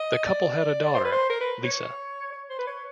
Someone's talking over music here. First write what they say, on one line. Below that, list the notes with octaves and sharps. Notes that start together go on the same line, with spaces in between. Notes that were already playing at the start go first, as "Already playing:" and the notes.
The couple had a daughter, Lisa.
Already playing: D#5
D5
C5
B4
C5
A#4
B4
C#5
C#5
C5
B4
C#5